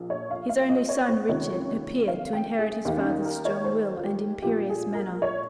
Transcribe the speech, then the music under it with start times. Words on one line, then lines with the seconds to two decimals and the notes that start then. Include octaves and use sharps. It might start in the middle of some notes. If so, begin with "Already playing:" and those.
His only son Richard appeared to inherit his father's strong will and imperious manner.
Already playing: A#1 A#2 F3
0.10 C#5
0.31 F5
0.49 F5
0.69 D#5
0.89 C#5
1.09 C5
1.29 C#2 C3 D#3 C#5
2.08 F5
2.33 G5
2.59 G#4
2.85 D#2 D#3 G4
2.97 C#4
3.05 D#4
3.25 A#4
3.45 C#5
3.64 C5
3.97 F4
4.04 G4
4.42 A#1 A#2 F3 G4
4.70 G#4
4.95 A#4
5.22 C#5